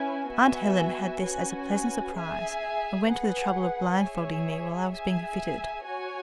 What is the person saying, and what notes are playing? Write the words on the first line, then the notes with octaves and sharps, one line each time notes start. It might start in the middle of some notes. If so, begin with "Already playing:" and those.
Aunt Helen had this as a pleasant surprise, and went to the trouble of blindfolding me while I was being fitted.
Already playing: C#4 E4 B4 G#5
B3 F#4 E5 G#5
C#4 F#4 B4 G#5
G#4 E5 G#5
G#4 B4 F#5
G#4 C#5 E5 G#5
G#4 E5 G#5
F#4 C#5 G#5